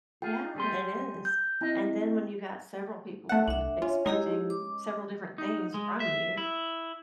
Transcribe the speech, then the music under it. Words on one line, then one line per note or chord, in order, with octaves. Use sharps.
Yeah, it is, and then when you've got several people expecting several different things from you
F4 G#4 G5
G3 G#4 C6
G6
C4 E4 D#5
A3 E5 F#5
C2 D4 E5
C#4 F4
G#3 D#4 E4 G4 G#4
D6
D#4
G#3
E5
E4